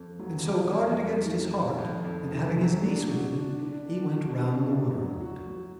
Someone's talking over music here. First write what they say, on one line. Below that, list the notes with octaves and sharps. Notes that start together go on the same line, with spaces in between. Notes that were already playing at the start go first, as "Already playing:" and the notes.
And so, guarded against his heart and, having his niece with him, he went round the world....
Already playing: F2
F#3
F2
F2
F2
D#3
D#3
F2
F2
D#3
F#3
D4
F#4
D4
D4
D4
F#4
D4
D4
F#3
F#4
F#3